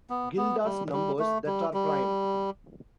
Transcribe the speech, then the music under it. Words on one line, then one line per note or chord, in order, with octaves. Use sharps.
Gilda's numbers that are prime.
B3
B3
G3
G3
A3
G3
G3